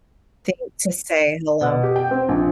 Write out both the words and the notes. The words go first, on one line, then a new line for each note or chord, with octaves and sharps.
think to say "hello".
B2
G4
G5
C4
A#1